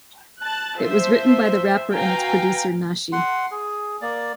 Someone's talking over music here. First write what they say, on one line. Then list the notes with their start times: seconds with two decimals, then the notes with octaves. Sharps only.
It was written by the rapper and its producer Nashi.
0.43 A5 F#6 A6
0.79 F3 C5 E5
1.91 F#4 B4 F5 G5 G#5 A#5
3.12 F#5 C6
3.51 G#4
4.02 A#3 D5